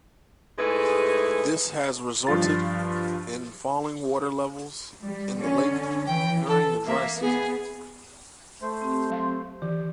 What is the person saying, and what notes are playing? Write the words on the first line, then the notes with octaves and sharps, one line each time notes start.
This has resulted in falling water levels in the lake during the dry season.
G#2 G#3 A3 E4 G#4 B4
G2 F3 F4 A6
G3
D3 C#4
E3 G5
A4
A#3 E5
B3 G#4
A3 C5
C4 G4
F#3 F5 C6
D#3 E3 G4